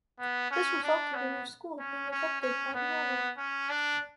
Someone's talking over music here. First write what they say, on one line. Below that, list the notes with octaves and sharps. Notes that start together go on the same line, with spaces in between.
This resulted in her school being evicted by the owner.
B3
C#4
D4
B3
C#4
C#4
C#4
B3
C#4
D4